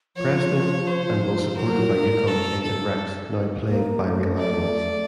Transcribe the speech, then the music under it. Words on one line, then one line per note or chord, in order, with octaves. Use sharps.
Preston, and was supported by Yukon King and Rex, now played by real animals.
F3 C#5
C5
F#3 A#4
A4
A4
A#3
A3
D5